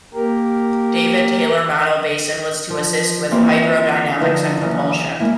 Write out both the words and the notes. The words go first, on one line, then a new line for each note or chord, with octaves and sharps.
David Taylor Model Basin was to assist with hydrodynamics and propulsion.
A#3 G4 A#4
F3
E3 A#3 C4 E4 F4 G4
D3 F3 D#4 E4 B4 E5
D#2 E3 F#3 C#4 D5 D#5
G3 G#3 A#3 E4